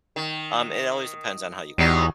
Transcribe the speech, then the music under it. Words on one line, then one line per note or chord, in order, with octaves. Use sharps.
um, it always depends on how you cook it.
D#3
E2 F#3 G3 D#4